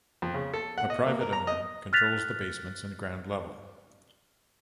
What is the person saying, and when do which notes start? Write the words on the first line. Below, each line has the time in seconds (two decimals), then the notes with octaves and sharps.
A private owner controls the basements and ground level.
0.22 F2
0.34 C#3
0.54 A4
0.78 F#5
0.90 D#5
1.07 A#3
1.21 A#4
1.33 A#5
1.47 D#5
1.93 F6 F#6 A6 B6 F7